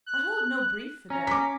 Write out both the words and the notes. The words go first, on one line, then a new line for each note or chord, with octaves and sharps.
I hold no brief for them.
F#6
C#4 A#5
D6 B6